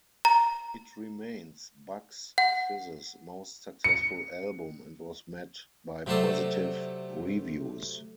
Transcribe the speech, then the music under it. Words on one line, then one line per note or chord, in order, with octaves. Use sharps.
It remains Bucks Fizz's most successful album and was met by positive reviews.
A#5
F#5
C#7
C3 F#3 A3 C5 D5